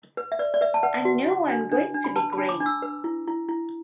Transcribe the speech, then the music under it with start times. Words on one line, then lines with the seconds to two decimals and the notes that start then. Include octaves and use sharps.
I know I'm going to be great.
0.17 B4
0.32 E5
0.39 B4 D5
0.54 D5
0.61 B4 E5
0.74 A5
0.83 B4 F#5
1.05 F#4
1.28 F#4
1.50 D4
1.71 D4
1.94 D4
2.04 B5
2.16 B4 A5
2.33 B5
2.38 D4
2.49 D6
2.60 D4
2.66 E6
2.82 B4
3.04 E4
3.27 E4
3.49 E4